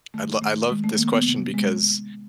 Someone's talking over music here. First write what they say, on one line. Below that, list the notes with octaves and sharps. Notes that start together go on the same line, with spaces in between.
I lo I love this question because
D#3 A3
D#3 A3
D#3 G#3
A3
D#3 A#3
B3
C3
G#3